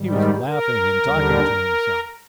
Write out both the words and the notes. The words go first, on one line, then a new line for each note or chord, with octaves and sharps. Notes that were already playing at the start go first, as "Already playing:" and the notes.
He was laughing and talking to himself.
Already playing: G#2 D#3 G3
A#4
D#2 D3 G3